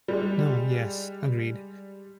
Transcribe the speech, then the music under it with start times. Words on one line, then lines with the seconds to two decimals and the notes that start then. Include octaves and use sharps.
No. Yes. Agreed.
0.08 G3 G#3